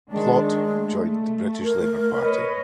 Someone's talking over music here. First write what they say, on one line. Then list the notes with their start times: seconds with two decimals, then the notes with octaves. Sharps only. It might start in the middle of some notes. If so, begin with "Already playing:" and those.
Plaut joined the British Labour Party.
0.11 D#3 G#3 D4
0.71 A3
1.64 A#4
2.19 B4 C#5 D#5